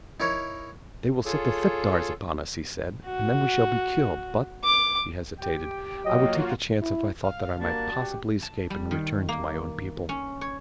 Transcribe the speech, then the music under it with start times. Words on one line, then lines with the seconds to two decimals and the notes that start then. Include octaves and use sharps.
"They will set the thipdars upon us," he said, "and then we shall be killed; but--" he hesitated--"I would take the chance if I thought that I might possibly escape and return to my own people."
0.20 D#4 E4 A#4 C#5
1.25 F4 G#4 A4 C#5
3.06 F#4
4.65 D6
5.39 G4 G5
6.05 F#3 A#3 F4 F#4 D#5
6.82 E4
7.24 F5
7.60 G3 A#3 D4 F#4 A5
7.94 G4
8.42 A5
8.70 G3
8.91 D#3
9.29 A#3
10.09 C#4
10.41 C#5